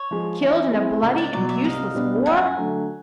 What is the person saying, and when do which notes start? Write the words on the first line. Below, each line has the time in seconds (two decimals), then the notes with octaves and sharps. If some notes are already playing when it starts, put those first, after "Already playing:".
Killed in a bloody and useless war!
Already playing: C#5
0.11 F3 G#3
0.42 E3
0.72 G#3 C4 E4
1.02 C#2
1.18 D5
1.33 B2 F#3 D5
1.49 D5 E5
1.64 C2 D#5 F5
1.95 B2 G3 B3 D4
2.26 F#2 F#5 G#5
2.57 D3 F#3 A3